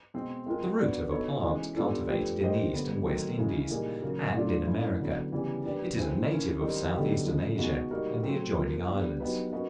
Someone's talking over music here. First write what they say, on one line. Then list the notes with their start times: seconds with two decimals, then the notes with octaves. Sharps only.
The root of a plant cultivated in the East and West Indies, and in America; it is a native of South-eastern Asia and the adjoining islands.
0.14 B2 G#3 C4
0.46 G#3 C4 F4 A#4
0.79 B3 D4 F#4 B4 D5
1.11 B3 D#4 F#4 A4 C#5
1.43 E3 G#3 C#4
1.76 G3 B3 D4 F4 A4
2.08 F3 A3 D4 G4 B4
2.40 A#3 D#4 G4 C5 D#5
2.73 D3 G3 B3
3.05 D#3 F#3 A3 C4
3.37 C#3 E3 G#3 C#4 E4
3.70 A#2 G3 A#3 D#4 G#4
4.02 C#3 F#3 A#3
4.35 A2 F#3 A3 D4 F4
4.67 A3 C#4 E4
5.00 D3 F#3 B3
5.32 C#3 E3 G3 B3
5.64 G3 A#3 D4 G4 B4
5.97 C4 E4 G#4 C5 E5
6.29 A#3 C#4 E4
6.61 D#3 G3 C4 D#4
6.93 D3 F#3 B3 D#4 G4
7.26 C#3 F3 G#3
7.58 B2 G#3 B3 D#4 F#4
7.91 G3 A#3 D#4 F#4 A#4
8.23 F#3 A3 C4
8.56 C3 F3 A#3
8.87 G3 B3 D4
9.20 F#3 B3 D#4 G4 B4
9.53 A#3 C#4 F#4 B4 D#5